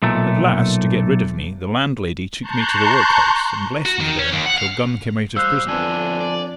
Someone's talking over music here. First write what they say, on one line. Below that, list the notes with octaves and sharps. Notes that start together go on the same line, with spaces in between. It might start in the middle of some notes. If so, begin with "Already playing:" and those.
At last, to get rid of me the landlady took me to the workhouse, and left me there till Gun came out of prison.
B1 A#2 A3
A5 A#5 C6 C#6 F#6 G6
F#4
D#3
C#4
D#2
F#5
F5
G3 C5 F5 E6 F#6
F2 D3 F3 B3 D4 G#5
D5